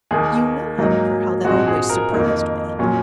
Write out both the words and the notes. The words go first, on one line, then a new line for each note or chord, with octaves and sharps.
You know, however, how that always surprised me.
D#2 D#3 A#3 G#4
G#2 F#3 A#3 D#4
A#1 G#2 F3 G#3 C4 F#4
G#4
A#4
F2 D#3 A#3 D#4
A#2 F#3 C#4